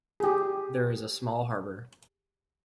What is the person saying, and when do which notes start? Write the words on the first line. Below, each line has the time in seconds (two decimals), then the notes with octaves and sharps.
There is a small harbour.
0.20 G4 G#4